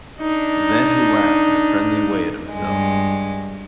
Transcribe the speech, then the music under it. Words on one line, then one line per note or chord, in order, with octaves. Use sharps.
Then he laughed in a friendly way at himself.
D4 D#4
G2 G#3